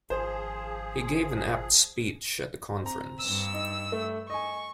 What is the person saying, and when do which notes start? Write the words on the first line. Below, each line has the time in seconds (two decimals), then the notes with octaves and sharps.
He gave an apt speech at the conference.
0.10 G#1 F3 G#4 C5
2.81 C4 A#5
3.20 G2 E6
3.54 D#4
3.92 A3
4.30 D#5 G#5 C#6